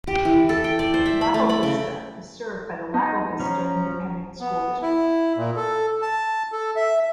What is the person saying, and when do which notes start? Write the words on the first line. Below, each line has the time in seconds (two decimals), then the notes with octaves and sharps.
Lago Vista is served by the Lago Vista Independent School District.
0.07 G4
0.25 E3
0.49 A4
0.64 G5
0.79 D5
0.94 C5
1.06 E5
1.21 B5
1.34 A3
1.49 B5
1.63 C#3
2.94 B3 D#4
3.40 F3 C#4 A#5
4.41 B3
4.82 E4
5.37 A#2
5.56 A4
6.02 A5
6.52 A4
6.76 E5